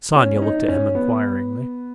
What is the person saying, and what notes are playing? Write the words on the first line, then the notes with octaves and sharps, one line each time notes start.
Sonia looked at him inquiringly.
C#4
C#4
D#4
C#4
B3